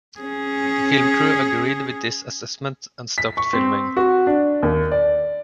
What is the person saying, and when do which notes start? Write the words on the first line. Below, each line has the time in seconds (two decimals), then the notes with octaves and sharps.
The film crew agreed with this assessment and stopped filming.
0.21 C#4 G#4
3.18 B6
3.37 C#6
3.53 C4
3.97 F#4
4.27 D4
4.63 D#2
4.92 D5